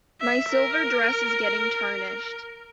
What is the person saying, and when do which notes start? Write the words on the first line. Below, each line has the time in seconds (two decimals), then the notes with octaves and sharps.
My silver dress is getting tarnished.
0.20 E5
0.50 A#4